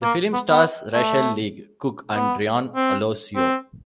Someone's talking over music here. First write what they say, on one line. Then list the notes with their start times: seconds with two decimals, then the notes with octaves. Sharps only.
The film stars Rachael Leigh Cook and Ryan Alosio.
0.03 A#3
0.33 B3
0.49 B3
0.94 A3
2.15 B3
2.76 C4
3.36 C4